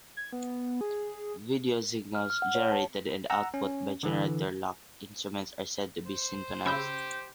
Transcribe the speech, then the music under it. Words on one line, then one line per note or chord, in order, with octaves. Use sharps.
Video signals generated and output by generator-locked instruments are said to be syntonized.
G#6
B3
G#4
F6
F6
F#5
C#5
A5
F#5 A#5 E6
C#4
D3 E3
C5
C#3 G4 B5 E6 G6